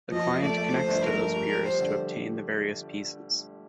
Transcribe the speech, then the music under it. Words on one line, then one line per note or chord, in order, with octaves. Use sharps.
The client connects to those peers to obtain the various pieces.
F3 D#5
F3
A3 D5
A3
F3 C5
G1
G1 A#4
F3
G3
G3
G3 C5
D3